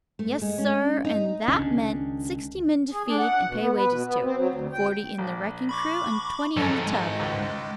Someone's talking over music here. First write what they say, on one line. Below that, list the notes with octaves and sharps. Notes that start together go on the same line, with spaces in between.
Yes, sir, and that meant sixty men to feed and pay wages to--forty in the wrecking-crew and twenty on the tug.
A3
G#3
C#4
D#4
C#2 D#3 C#4 D4
G#4
D4
F#5
B2
B3
B4
B2
B3
C4
F#3
D2
G5
A#1
B5 C#6 D6
F2 G#2 D#3 F#3 A4
G#3
C#2